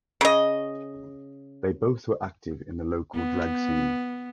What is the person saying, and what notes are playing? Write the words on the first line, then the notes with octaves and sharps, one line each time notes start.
They both were active in the local drag scene.
C#3 D#5
B3